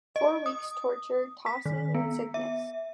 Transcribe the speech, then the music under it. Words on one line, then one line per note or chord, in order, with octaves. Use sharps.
Four weeks’ torture, tossing, and sickness!
D#5
D#6
B6
D#3
B3
E5